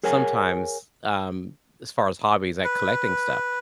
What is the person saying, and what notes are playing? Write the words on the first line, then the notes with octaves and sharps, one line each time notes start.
sometimes, um, as far as hobbies, like, collecting stuff,
G#4 A#4 C#5 F#5 G#5
B4